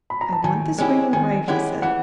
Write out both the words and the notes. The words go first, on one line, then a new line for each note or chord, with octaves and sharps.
"I want this ring engraved," I said.
B5
A#5
A5
D#3 G#5
G#3 C#4 E4 G4 G#5
D#3 G#5
G#3 C#4 E4 G4 F#5
E3 F#5